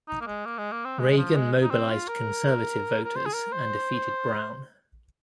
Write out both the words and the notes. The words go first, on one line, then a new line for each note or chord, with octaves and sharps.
Reagan mobilized conservative voters and defeated Brown.
D#4
A#3
G#3
A#3
G#3
A#3
C4
G#3
G#3
F3
G#3
D#4
C4
F4
A#4
A#4
C5
G#4
A#4
C5